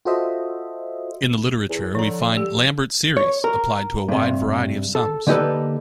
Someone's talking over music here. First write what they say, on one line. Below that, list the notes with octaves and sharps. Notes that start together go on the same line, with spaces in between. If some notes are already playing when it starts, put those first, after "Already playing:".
In the literature we find "Lambert series" applied to a wide variety of sums.
F4 F#4 A4 C5 D#5 E5
E2
D3 F3 A#5
G4
C#5
A#4
G2 C3
A4
D3 A#3 D#4 G4 A4 B4